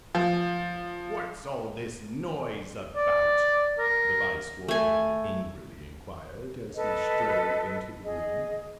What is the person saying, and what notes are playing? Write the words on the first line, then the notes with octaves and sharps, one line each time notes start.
"What's all this noise about?" the Vice-warden angrily enquired, as he strode into the room.
F3
D5
A#4
A3 G#5
A4 B4 D#5
G#4 D#5